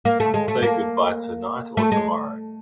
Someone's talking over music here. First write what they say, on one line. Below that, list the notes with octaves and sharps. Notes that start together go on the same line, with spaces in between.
Come say goodbye tonight or tomorrow.
A#3
A3
G#3
A3
A#3
A3
G#3